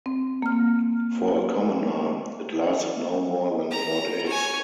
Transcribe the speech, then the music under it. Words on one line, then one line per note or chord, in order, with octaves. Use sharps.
For a commoner, it lasted no more than four days.
C4
A#3 F6
A#5
C#5 G#5